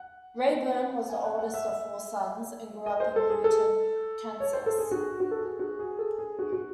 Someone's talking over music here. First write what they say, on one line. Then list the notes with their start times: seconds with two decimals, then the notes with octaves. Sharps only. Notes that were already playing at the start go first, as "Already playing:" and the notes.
Rayburn was the oldest of four sons, and grew up in Newton, Kansas.
Already playing: F#5
1.10 G#5
1.24 F#5
1.39 F#5
1.54 E5
1.68 E5
2.86 D#5
3.00 C5
3.16 A4
3.30 G#4
3.44 A4
4.40 C#5
4.53 C5
4.66 A4
4.78 G#4
4.91 F#4
5.20 F#4
5.31 A4
5.41 G#4
5.59 F#4
5.79 G#4
5.99 A4
6.18 G#4
6.39 F#4
6.52 F#4